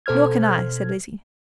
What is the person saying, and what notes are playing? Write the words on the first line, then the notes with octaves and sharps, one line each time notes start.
"Nor can I," said Lizzie.
B2 A4 C5 F6 G#6